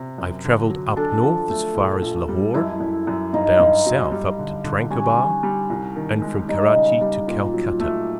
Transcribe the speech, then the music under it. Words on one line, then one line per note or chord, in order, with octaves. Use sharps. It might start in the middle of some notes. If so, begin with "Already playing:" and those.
I have travelled up north as far as Lahore, down south up to Tranquebar, and from Karachi to Calcutta.
Already playing: C3
F#2
D3
F#3
D4 A4
F3
A3
A#1
A#1
G3
F#2 E4
F#2
F#2
G2 D#4
G2
F#3
G3
D3
D3
G3 C#4
G3
G3
C2
D#3
G#3
G3 D#4
C#3
G3
A#2
F#3
A3